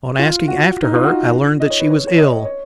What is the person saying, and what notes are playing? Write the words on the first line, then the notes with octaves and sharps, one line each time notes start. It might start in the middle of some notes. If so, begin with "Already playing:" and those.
On asking after her I learned that she was ill.
F4
F#4
D#4
F4
F#4
D#5
C#5
B4
C#5
C#5
D#5
C#5